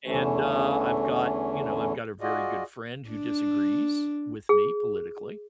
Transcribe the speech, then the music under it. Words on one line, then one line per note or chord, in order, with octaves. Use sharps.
And, uh, I've got you know, I've got a very good friend who disagrees with me politically,
E2 D3 E3 A3 C#4
F4 F#4 G#4 D5 D#5
D4
G#4